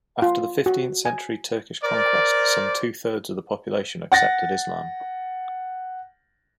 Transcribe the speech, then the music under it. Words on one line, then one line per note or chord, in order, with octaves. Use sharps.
After the fifteenth-century Turkish conquest, some two thirds of the population accepted Islam.
F4
F#4
G#5
A#4 C5 D5
F#5 A6 A#6